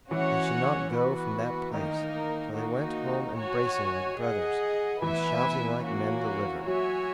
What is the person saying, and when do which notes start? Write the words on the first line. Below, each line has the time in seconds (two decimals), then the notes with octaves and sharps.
They should not go from that place till they went home embracing like brothers and shouting like men delivered.
0.10 E3 C#4 F#4 C#5 F#5
0.92 B3 F#4 B4
1.74 D#3 A#3 D#4 A#4
2.56 A#3 D#4 F#4
3.38 F#4 C#5 G#5
4.19 G#4 D#5 F#5
5.02 E3 B3 E4 B4 E5 G#5
5.84 A#3 C#4 F#4
6.65 F#3 F#4 C#5 E5 G#5